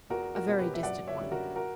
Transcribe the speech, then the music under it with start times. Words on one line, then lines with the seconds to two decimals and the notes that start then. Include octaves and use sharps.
"A very distant one."
0.10 E2 F#4 A#4
0.35 F#4 A#4
0.46 B2 G3 C#4
0.59 G4 B4
0.74 E5
0.83 F#2 D5 F#5
1.07 C#5 E5
1.20 D3 G3 C#4
1.31 F#4 A#4
1.56 F#4 A#4